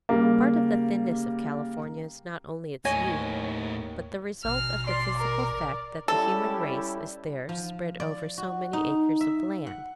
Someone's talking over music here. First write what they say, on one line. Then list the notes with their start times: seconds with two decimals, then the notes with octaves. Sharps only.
Part of the thinness of California is not only its youth, but the result of the physical fact that the human race is there spread over so many acres of land.
0.09 C#3 G3 A#3
2.85 D#2 A2 C#5 D#5 G#5 A#6
4.45 A1 B2 F6
4.87 D5 C6
5.18 A#4
6.08 G3 C#4 E4 A4
7.49 F3
8.00 D5
8.38 F#4
8.73 D#4
9.21 E5
9.67 F#5